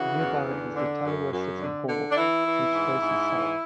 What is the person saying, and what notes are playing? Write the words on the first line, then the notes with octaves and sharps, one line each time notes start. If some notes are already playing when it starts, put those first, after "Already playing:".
Nearby is the Tallulah City Hall, which faces south.
Already playing: C#3 E3 F#4
E2
D3
D3
F#2
F#2
D3
D3
D4
E3 E4
E3
G#2
G#2
E3